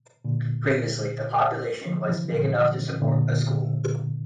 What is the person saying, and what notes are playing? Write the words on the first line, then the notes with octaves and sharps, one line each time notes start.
Previously the population was big enough to support a school.
A#2 D3
D3 F3
C3 E3
A#2 D3
A#2 D3